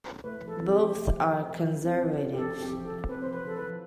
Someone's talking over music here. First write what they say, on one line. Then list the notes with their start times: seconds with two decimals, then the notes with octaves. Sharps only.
Both are Conservatives.
0.24 A3 B4
0.41 F3
0.48 A4
0.59 C4
0.72 G4
0.77 F3
0.95 A3
1.13 F3
1.31 F3
1.49 F3
1.66 F3
1.84 C4
2.02 F3
2.20 C4
2.33 G4
2.37 F3 A4
2.56 C4
2.61 G4
2.73 F3
2.85 A4
2.91 F3
3.09 C4 B4
3.22 F3 C5
3.33 B4
3.45 F3 A4
3.56 B4
3.62 F3